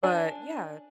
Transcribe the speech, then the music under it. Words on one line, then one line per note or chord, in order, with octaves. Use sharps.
but, yeah,
D4 D5 G#5